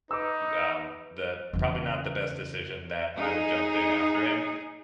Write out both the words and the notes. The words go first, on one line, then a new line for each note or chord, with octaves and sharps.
um, the, probably not the best decision that I would jump in after him,
D#4 B4 D6 E6
E2 C#3
D#4 G#4